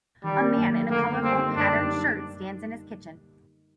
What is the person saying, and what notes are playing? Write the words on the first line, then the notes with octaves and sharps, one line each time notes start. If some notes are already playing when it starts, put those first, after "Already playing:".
A man in a colorful, patterned shirt stands in his kitchen.
D#3 G3
A#3
F#2
A3
D3 A#3
A#3
G3 C4
D#4
F#2 D4
G3